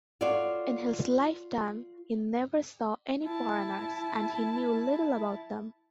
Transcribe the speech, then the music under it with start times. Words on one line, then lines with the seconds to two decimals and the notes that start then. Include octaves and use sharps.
In his lifetime he never saw any foreigners and he knew little about them.
0.21 F4 F#4 A4 C#5 D5 F5
3.24 E4 A5